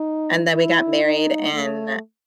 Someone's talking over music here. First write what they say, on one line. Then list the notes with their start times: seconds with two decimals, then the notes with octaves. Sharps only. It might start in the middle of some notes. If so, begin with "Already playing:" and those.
and then we got married in
Already playing: D#4
0.54 E4
1.04 D#4
1.54 A3